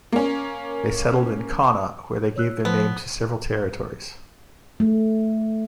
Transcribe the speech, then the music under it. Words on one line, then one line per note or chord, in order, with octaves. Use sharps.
They settled in Connacht, where they gave their name to several territories.
A#3 C#4
C#5 E6 F#6
F3 B3
A3